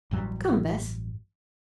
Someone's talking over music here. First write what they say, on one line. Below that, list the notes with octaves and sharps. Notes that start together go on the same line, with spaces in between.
Come, Bess.
A1 G2 F#3 G3